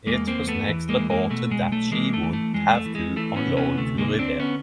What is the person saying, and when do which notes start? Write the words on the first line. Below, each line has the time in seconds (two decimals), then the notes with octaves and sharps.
It was next reported that she would have to unload to repair.
0.06 E2 G#3 A#3
0.28 A#3 C4
0.38 E2
0.47 A3 B3
0.69 E3
0.89 G#3 A#3
0.99 E3
1.10 G#3 A#3
1.30 B2 A3
1.51 G#3
1.61 B1
1.72 A3
1.92 E3 G#3 A#3
2.14 A3
2.23 E3
2.33 A3
2.54 F2 G#3
2.74 A3
2.86 E3
2.95 G#3
3.16 E3 A3
3.36 B3 C#4
3.47 C3
3.57 B3 C#4
3.77 D2 A3
3.98 G#3 A#3
4.08 D3
4.19 C4 D4
4.40 B3 C#4